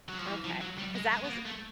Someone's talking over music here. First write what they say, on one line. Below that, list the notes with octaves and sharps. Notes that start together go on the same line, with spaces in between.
Okay, 'cause that was
F#3
F3
E3
F3
F#3
G3
G#3
G#3
B3
A#3
A3